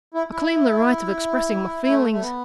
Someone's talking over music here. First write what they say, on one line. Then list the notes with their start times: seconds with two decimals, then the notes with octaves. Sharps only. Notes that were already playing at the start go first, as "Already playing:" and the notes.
I claim the right of expressing my feelings.'
0.14 E4
0.32 E4
1.87 A3
2.12 A3
2.22 B3